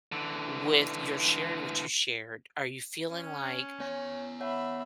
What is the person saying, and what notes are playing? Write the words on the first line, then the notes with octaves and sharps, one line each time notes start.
with your sharing what you shared, are you feeling like
D3 E3
C#4
B3 C#5 G#5
C#5 E5 F#5 B5